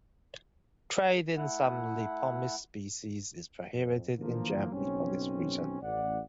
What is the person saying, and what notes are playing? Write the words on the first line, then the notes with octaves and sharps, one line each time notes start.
Trade in some "Lepomis" species is prohibited in Germany for this reason.
A3 E4 F#5
F2
D3 E3 F3 A#3
F#1 B1 C4 C#4
A1 D5 F#5